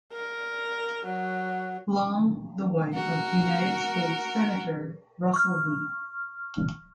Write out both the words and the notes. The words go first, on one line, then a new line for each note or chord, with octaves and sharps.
Long, the wife of United States Senator Russell B.
A#4
F#3
F#4 A#4
C#6 F6